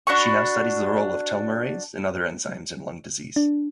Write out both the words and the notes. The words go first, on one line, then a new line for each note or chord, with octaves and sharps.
She now studies the role of telomerase and other enzymes in lung disease.
D4 F#4 B5 C#6
D4